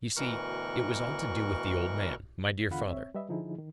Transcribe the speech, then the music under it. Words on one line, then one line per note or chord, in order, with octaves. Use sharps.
You see, it was all to do with the old man, my dead father.
D2 B2 E3 A#4 C#6 F#6
E2 D3 F4 F5 F#5 B5
C4 C#5 E5
G3 B4 D#5 E5
D3 F3 D#4 E4 G#4
D#3